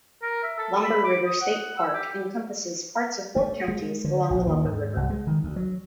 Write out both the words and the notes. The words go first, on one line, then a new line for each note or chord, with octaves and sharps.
Lumber River State Park encompasses parts of four counties along the Lumber River.
A#4
E5
A4
B5
D6
D#6
F#5
E6
G4
A3
G#3
D3
A#1
D#2
G#2
C2
G#3
D#3
D2
F#3